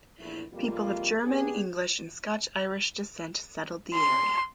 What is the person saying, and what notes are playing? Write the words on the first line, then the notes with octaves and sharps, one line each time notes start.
People of German, English, and Scotch-Irish descent settled the area.
A#1 E2 A#2 A3 E4
F2 C3 G3 G#3 A#3 F4
B3 D4 G4 G#4
C6